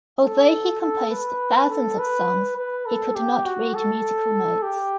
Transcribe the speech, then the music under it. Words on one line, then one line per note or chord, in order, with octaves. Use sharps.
Although he composed thousands of songs, he could not read musical notes.
A4
A4
B4
A4
B4
B4
A4
G4
F#4
A4
G4